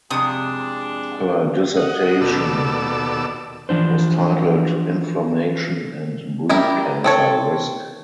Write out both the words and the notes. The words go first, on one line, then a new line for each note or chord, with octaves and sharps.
Her dissertation was titled "Inflammation and Breast Cancer Risk".
F2 C3 G#3 D4 D#6
D#5 F#5
D#2 B2 A4 D5 E6
E3 F3 D4 C5
G3 E4 A#4
C4 A4 C#5